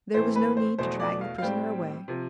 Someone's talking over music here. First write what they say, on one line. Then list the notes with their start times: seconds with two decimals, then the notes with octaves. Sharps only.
There was no need to drag the prisoner away.
0.14 A2 E3 A3 C4 C5
0.36 B4
0.57 C5
0.78 E2 B2 A3 C5
1.00 D5
1.21 F5
1.38 F5
1.42 A2 G3 C4 G5
2.08 C3 F3